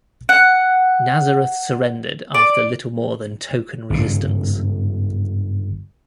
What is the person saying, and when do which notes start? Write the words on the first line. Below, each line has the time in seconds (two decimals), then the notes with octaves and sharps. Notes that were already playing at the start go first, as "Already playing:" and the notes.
Nazareth surrendered after little more than token resistance.
0.29 F#5
2.34 D5
3.90 G1 G#2 C#3